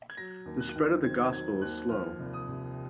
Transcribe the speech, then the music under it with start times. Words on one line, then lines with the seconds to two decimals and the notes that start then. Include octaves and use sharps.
The spread of the gospel is slow.
0.10 G#6
0.17 F#3 A#6
0.46 D#2
0.60 F#6
0.76 D#3
1.03 C4 G#6
1.33 F#3 G#6
1.61 D#2 F#6
1.90 F3 F6
2.19 C2
2.33 D#6
2.48 C3